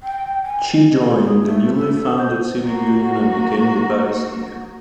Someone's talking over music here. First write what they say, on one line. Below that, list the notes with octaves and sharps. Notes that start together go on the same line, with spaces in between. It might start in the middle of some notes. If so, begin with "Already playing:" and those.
She joined the newly founded Civic Union and became the party's leader.
G5
G#5
D#5
A4
G#4
A3
A4
C5
A#3 F#4